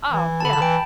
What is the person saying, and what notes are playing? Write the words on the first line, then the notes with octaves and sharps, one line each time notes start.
Oh, yeah.
E3
A5
D3 B5
A5
D3
E3 G5